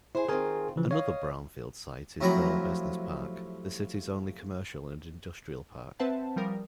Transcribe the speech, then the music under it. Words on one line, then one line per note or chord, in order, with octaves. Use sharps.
Another brownfield site is Burle Business Park, the City's only commercial and industrial park.
E4 G#4 C5
D#3 C4 F4 G#4 A#4 G#5
C#3 E3 F3
C#5 D#5 F5
A2 C3 F3 F#3 A#5 B5
C4 B4 C5 E5 F#5 A5
F3 G3 A#4 D#6